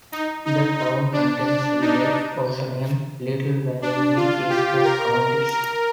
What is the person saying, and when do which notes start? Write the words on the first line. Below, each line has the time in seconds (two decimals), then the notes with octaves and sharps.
The town contains a village also named Little Valley, which is the county seat.
0.12 D#4
0.45 D#4
0.79 D#4
1.13 D4
1.48 D4
1.81 D#4
3.82 D4
4.17 F4
4.50 G4
4.84 A#4
5.51 A#4